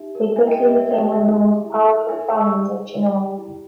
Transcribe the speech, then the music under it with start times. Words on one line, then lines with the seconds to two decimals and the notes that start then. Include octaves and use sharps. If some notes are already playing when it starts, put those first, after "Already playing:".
They quickly became one of the most powerful families of Genoa.
Already playing: D#4 G4 E5
0.15 A#4
0.36 E4 E5 G#5
0.47 D#5 G5
0.57 G4 D#5 G5
0.69 E5
0.80 C#5 E5
0.91 D#5 G5
1.01 G4 D#5
1.12 E5
1.22 D#4 E5
1.44 G#4
1.65 E4
1.87 A#4
2.08 D#4 E5 G#5
2.30 G#4 C#6 E6
2.41 C#6 E6
2.52 D#4
2.73 G#4
2.95 D#4
3.17 G4
3.38 E4